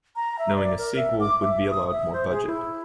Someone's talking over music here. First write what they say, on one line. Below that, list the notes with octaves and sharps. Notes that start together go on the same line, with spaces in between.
Knowing a sequel, would be allowed more budget.
A#5
E5
D5
A#4
E5
D6
E5
D#6
E5
C5
G#4
E4